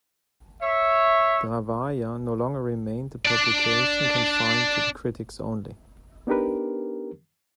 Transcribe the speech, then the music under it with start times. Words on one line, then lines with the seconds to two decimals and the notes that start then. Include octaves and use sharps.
The Ravaya no longer remained a publication confined to the critics only.
0.61 C#5 E5
3.26 D4 D5
6.27 B3 D4 D#4 G4 A#4 B4